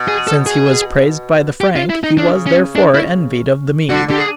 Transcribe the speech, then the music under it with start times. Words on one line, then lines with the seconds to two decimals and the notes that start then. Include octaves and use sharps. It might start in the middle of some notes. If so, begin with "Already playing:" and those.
Since he was praised by the frank, he was therefore envied of the mean.
Already playing: B2
0.08 G#4
0.27 A4
0.46 G#4
1.61 G4
1.76 F4
1.90 E4
2.04 D#4
2.18 C#3 D4
2.47 C#4
2.76 D4
2.94 E4
3.90 D3 F#4
4.08 D3 G4
4.18 G#4